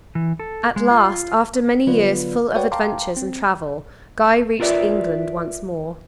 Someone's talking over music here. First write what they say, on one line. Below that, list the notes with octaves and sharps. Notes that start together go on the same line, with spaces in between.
At last, after many years full of adventures and travel, Guy reached England once more.
E3
A4
G#3
F4
D3 F#3 B3 F4 B4 D5
F#4 B4 C#5 D5 F#5 G5
F5 G5 A5 A#5 C6 D6
C4
F4 A#4 B4 D5 E5